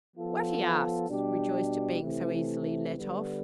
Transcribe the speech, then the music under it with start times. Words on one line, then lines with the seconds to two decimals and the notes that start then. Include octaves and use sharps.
"What?" he asks, rejoiced at being so easily let off.
0.16 F3 B3 F4 A4
1.09 B2 G3 D4 G4
2.02 C3 E3 A3
2.95 D3 G3 B3